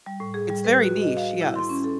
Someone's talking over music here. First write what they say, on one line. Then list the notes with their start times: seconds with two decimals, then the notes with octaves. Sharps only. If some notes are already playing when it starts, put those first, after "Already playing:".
It's very niche, yes.
0.06 G3
0.20 A2
0.34 G#4
0.50 G3
0.64 B4
0.82 F#4
1.01 D#5
1.17 F5
1.41 E4
1.56 C6
1.69 C#4
1.84 A4